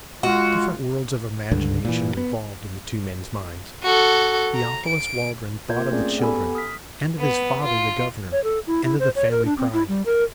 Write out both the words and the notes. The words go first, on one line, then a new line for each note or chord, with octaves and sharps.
Different worlds of imagination revolved in the two men's minds. Theophilus Waldron thought of the children, and of his father the governor, and of the family pride.
G#3 F4 F#4
C#2 G2 D3
A#2 E3
B3
F#4 A4
A#5
D7
A#3 F4 A#4 G6 G#6
A3 C4 C#4 G#4 D5
B3 G4 A4 G#5 B5
D#6 F6 B6
B3
F4
C#5
A4
E4
E4
C5
C#5
A#4
D4
C4
E4
G3
A#4